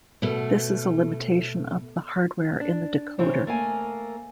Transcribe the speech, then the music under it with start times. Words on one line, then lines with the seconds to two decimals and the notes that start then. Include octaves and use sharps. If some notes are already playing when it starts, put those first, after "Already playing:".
This is a limitation of the hardware in the decoder.
0.22 B2 A3
2.60 D4
3.19 C3 E3 C4 C5 C#5
3.47 A3 A#3 G#5